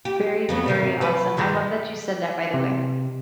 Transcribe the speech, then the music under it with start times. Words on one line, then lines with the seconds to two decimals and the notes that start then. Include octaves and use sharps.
Very, very awesome. I love that you said that, by the way.
0.05 G4
0.49 F2 F#3 B3
0.66 G#2 C3 D#3
1.01 F#3 B4
1.37 G2 D#3 G#3
2.54 C3